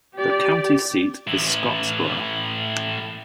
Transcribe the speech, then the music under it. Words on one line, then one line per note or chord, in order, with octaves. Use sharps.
The county seat is Scottsboro.
G4 D5
A2 E3